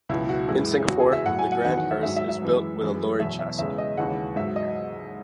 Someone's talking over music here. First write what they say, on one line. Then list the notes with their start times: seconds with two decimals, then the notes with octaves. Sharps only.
In Singapore, the grand hearse is built with a lorry chassis.
0.09 C#2 B2 F#3 E4
0.29 F#4
0.48 F#2 E3 G#3 E4
0.87 E2 C#3 E3 F#4
1.00 G#4
1.13 E5
1.26 A2 F#3 F#5
1.39 G#5
1.52 F#5
1.65 E2 D#3 F#3 F#5
1.78 F#5
1.91 E5
2.03 G#2 F#3 E5
2.17 E5
2.29 E5
2.42 F#2 E3 G#3
2.81 F#2 E3 G#3
3.20 E2 B2 F#3 E5
3.39 E5
3.59 E2 C#3 G#3 E5
3.78 D#5
3.97 D#2 C#3 E3 G#3 F#5
4.36 G#2 F#3 E5
4.56 D#5